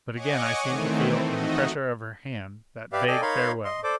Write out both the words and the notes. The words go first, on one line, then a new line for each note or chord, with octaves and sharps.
But again I seemed to feel in the pressure of her hand that vague farewell.
C#5 D#5 F#5 G#5 C#6 D6
D#3 E3 A3 C4
A3 D#4 F#4 D#5
G4 B4 D5 E5 F5
A4 D5 D#5 G5 G#5
D#4 A#4 C#5 F5 B5 C6
D#5 C6
A4 C5 D5 D6